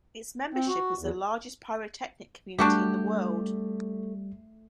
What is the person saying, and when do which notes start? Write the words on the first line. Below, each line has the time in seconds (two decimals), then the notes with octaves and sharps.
Its membership is the largest pyrotechnic community in the world.
0.54 C4
0.68 F#4
0.99 E2
2.59 G3 A3 D4 F#4 G4